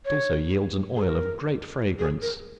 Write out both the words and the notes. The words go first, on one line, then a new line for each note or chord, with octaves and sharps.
It also yields an oil of great fragrance.
C#5
G#4
A#4
G#4
A#4